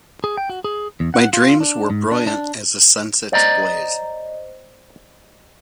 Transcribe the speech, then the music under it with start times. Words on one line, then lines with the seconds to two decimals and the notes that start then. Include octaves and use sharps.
My dreams were brilliant as the sunset's blaze.
0.24 G#4
0.37 G5
0.50 F#4
0.64 G#4
1.00 E2
1.14 F#5
1.33 F4
1.60 D4
1.90 G#2
2.12 D4
2.27 D4
3.32 C5 D5 D#5 A#5